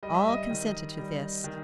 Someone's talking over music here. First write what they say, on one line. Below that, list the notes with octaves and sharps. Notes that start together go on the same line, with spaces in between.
All consented to this.
G3 D#5
E5
D#5
D#3
G3
D#3